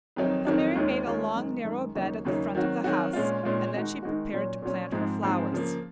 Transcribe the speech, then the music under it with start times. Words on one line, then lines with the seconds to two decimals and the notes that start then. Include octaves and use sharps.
So Mary made a long, narrow bed at the front of the house, and then she prepared to plant her flowers.
0.16 F2 D#3 F#3 C4 D#4
0.45 F2 D#3 F#3 C4 D#4
0.75 D#2 D#3 G#3 C#4 F4
1.06 D#2 D#3 G#3 C#4 F4
1.35 F#2 D#3 G#3
1.65 F#2 D#3 G#3
1.95 D#2 C#3 F#3 A#3 D#4
2.25 D#2 C#3 F#3 A#3 D#4
2.55 D#3 F#3 C4 F#4
2.84 D#3 F#3 C4 F#4
3.13 A#2 G#3 C#4 F4
3.43 A#2 G#3 C#4 F4
3.74 D#3 G#3 D#4 F#4
4.03 D#3 G#3 D#4 F#4
4.32 A#2 F#3 C#4
4.62 A#2 F#3 C#4
4.92 G#2 F3 G#3 C4
5.23 G#2 F3 G#3 C4
5.52 C#3 F3 A#3